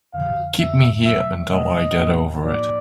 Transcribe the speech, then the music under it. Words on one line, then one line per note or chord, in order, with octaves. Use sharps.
Keep me here until I get over it.
F2 D3 F3 F5
F2 D3 F3 E5
E2 B2 F#3 A3 E5
E2 B2 F#3 A3 D#5
A2 F3 A#3 D#4 F#4
A2 F3 A#3 D#4 F#4 D5